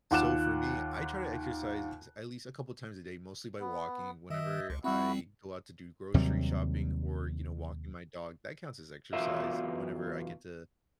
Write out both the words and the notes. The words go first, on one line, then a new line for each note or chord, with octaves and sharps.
So for me, I try to exercise at least a couple times a day, mostly by walking. Whenever I go out to do grocery shopping or, you know, walking my dog, that counts as exercise. Whenever I get to
D#2 F4 F#5 D6 F#6 E7
B3
D#3 D#5 E5
C#2
G3 C4 E4 F#4
D#2 C3 F#3 G3
B1 E2 B2 F4 A#4 E5